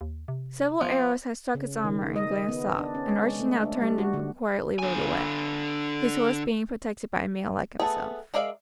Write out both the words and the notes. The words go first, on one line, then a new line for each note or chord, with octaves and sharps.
Several arrows had struck his armour and glanced off, and Archie now turned and quietly rode away, his horse being protected by mail like himself.
D#2
C3
F3 B3
C#3
D#3
D#5
B3
D4
C#4
G#3
A3
D4
G3
F#4
D3
D3 G#5
A3 B3 G#4 A4 B4
G#3 A#4 D5 E5 F5